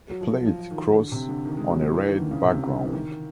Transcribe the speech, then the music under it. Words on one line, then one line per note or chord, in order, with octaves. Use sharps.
A plate cross on a red background.
F#3
F3
F3
D#3
D3
C3
D3
D#3
G#3
F#3
F#3
E3
D#3
D3
C#3
C3
D3
E3
D#3